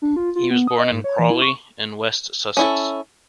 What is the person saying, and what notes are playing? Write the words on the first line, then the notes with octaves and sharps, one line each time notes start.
He was born in Crawley in West Sussex.
D4
F4
F4
B3
D#6
D#5
G#2
C#5
E3
E4
C#6
C#4 E4 A4